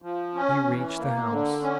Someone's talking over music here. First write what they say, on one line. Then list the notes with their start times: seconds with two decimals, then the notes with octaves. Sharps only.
He reached the house.
0.02 F3
0.35 C#4
0.66 E3
0.98 A#3
1.30 D3
1.62 C#4